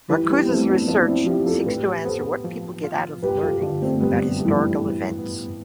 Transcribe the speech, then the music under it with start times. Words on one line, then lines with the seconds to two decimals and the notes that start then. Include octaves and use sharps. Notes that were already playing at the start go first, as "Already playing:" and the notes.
Marcuse's research seeks to answer what people get out of learning about historical events.
0.10 E3 G3 B4
0.29 G3 B3
0.48 F3 A3 C4
0.68 B3 D4
0.88 F3 B3 D4
1.07 C4 E4
1.26 F3 E4 G4
1.46 F4 A4
1.66 A2 G4 B4
2.05 B3 A4 C5
2.44 F3
2.84 F4
3.22 G2 G4 B4
3.43 F4 A4
3.61 D3 D4 F4
3.82 A3 C4
4.01 G2 G3 B3
4.27 G3
4.36 A3
4.40 G2 E3 G3
4.54 E3
4.80 A2
5.19 B3